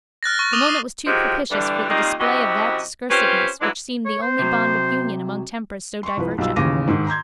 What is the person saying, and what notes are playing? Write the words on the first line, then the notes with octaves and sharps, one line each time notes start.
The moment was too propitious for the display of that discursiveness which seemed the only bond of union among tempers so divergent.
F6 F#6 A6 A#6
C#6 F6
D6 D#6 D#7 F7 G7
C7
D#3 F3 F#3 G#3 G4
D3 E3 G3
A#2 D#3 G3 A#3 C4 D#4
F#2 C3 E4 F#4 G4 D#5
C4 C#4 F4 G4 B4 C5
G#2 E3 F#3 G#3 D4 E4
C#5
C5
C3 F#3
C6 C#6
C2 F3 B4
B1 G3 F4 E6
A1 D#2 C#3 D6 A#6 D#7
G#2 D#3
A#5 C6 G6 G#6